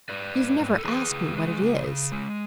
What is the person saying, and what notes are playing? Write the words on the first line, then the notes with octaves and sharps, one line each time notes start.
You've never asked me what it is.
G#2 B4 D5
G#2
G#2
A4
E3 G#4 B4
C#3
G#3
C#3
C#3
G#3